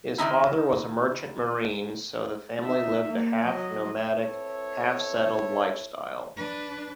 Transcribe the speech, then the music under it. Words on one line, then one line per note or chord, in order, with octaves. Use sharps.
His father was a merchant marine, so the family lived a half-nomadic, half-settled lifestyle.
D#3 G#3 D#4 E4
D#4 E5
A#3
F#3 D#5
C4 E4 A4 B4 C#5
D4 B4